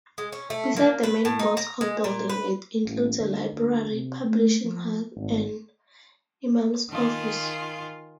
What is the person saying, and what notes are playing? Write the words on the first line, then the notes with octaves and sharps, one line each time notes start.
Besides the main mosque building it includes a library, publishing house and Imam's office.
G#3
C#4
A3
A#3
B4
A2
D#4
A#5
G#3
A#2
B4
A1
D2
D2
C3
A3
F3
G#1
D#3 F4 G#4